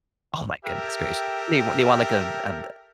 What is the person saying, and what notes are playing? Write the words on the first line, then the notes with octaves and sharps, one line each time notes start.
Oh my goodness gracious. They they want, like, a a b
G4 A4 A#4 E5 G5